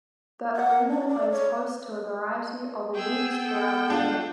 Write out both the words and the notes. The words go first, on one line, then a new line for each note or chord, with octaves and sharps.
The arena plays host to a variety of events throughout the year.
F#5
C#4
D5
C#5
B3 G#4 G5 E6
A4
D4 F4